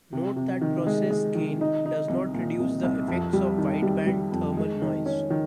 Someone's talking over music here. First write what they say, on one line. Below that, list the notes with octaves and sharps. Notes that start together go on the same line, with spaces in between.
Note that process gain does not reduce the effects of wideband thermal noise.
C3
C3
D#3
G#3
G#3
D#3
D#4
D#4
C2
A#2
C2
C2
F2
G3
D#3
G3
G3
F2
G#3
D#3
C#4
D#3